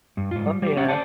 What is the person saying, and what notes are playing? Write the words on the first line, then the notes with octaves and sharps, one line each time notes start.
Oh, yeah.
G2
G#2 F4
G3
G3 G4
C#4 G4 F#5
C5 D5 F#5 A5